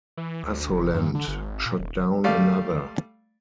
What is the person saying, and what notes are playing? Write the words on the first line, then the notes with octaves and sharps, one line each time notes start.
Assolent shot down another.
E3
D2
F1
G2
D3
G1
G#1
A#2
D#1
F#1
G3 A3 D5 F5